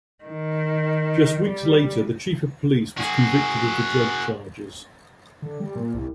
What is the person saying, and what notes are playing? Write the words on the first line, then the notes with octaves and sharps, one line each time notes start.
Just weeks later the chief of police was convicted of the drug charges.
D#3
G3
F#4 G#4
D3
G3
A#2
C2